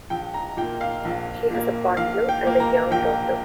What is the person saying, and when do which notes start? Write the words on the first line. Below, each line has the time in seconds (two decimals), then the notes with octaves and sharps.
He has a partner and a young daughter.
0.10 A#1 G5
0.34 A#5
0.57 A#2 G5
0.62 A#3
0.81 F5
1.05 A#1
1.50 A#2 A#3
1.97 A#1 F5
2.29 G5
2.44 A#2 A#3
2.60 A#5
2.91 A#1 G5